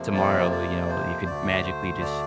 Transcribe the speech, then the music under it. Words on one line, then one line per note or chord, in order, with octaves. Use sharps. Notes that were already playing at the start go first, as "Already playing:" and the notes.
tomorrow, you know, you could magically just
Already playing: F2 C3 F3 A#3
D5
D5
C5
D2 D3 A3 D5
C5
D5